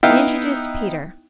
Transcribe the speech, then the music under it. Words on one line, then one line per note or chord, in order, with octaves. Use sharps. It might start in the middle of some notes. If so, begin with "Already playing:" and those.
I introduced Peter.
B3 D#4 E4 F5 G5